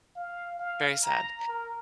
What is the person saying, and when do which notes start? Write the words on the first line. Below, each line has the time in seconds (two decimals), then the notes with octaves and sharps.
very sad.
0.16 F5
0.59 F5
1.03 A#5
1.49 A#4